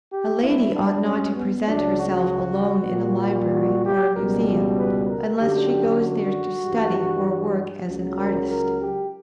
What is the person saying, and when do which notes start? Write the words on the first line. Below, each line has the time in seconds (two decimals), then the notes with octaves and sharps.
A lady ought not to present herself alone in a library, or a museum, unless she goes there to study or work as an artist.
0.12 G4
0.43 G2 F#3 E4
0.74 D4
1.05 C#4
1.36 B3
1.67 C#2 C#3 F#3 D4
1.98 F#4
2.91 A#2 G3
3.53 F#4
3.84 G4
4.15 C#2 B2 G3 A#4
4.77 B4
5.08 A#4
5.39 F#2 D3 F#3 G4
6.01 F#4
6.63 G2 E3 G3
7.87 C#2 C#3 F#3
8.18 A#4
8.49 A#4
8.81 G4